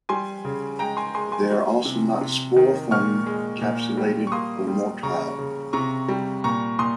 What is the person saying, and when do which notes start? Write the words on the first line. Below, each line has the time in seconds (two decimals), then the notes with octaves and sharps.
They are also not spore-forming, capsulated, or motile.
0.09 G3 G#5 C6
0.45 C#3
0.79 G#3 G5 A#5
0.97 G#5 C6
1.15 G#3 G#5 C6
1.32 G#5 C6
1.50 G3
1.85 C3
2.21 C3
2.56 D#3
2.91 A#2 C#6 F6
3.26 G#3
3.61 A#2
3.97 G3
4.27 C#6
4.32 A#3 C6 D#6
4.67 G3
5.03 C#3 A#5 C#6
5.38 C#3
5.73 C3 A#5 C#6
6.09 G3
6.44 A#2 A#5 C#6
6.79 A#2 C6 D#6